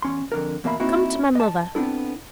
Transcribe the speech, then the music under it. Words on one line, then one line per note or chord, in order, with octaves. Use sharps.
Come to my mother.
E2 C#4 C6
F2 D3 A#4
E2 B2 A#3 E5 B5
A#3 C4 D#4 E4 F#4
D#5 A5
B3 C4 D4 E4 A4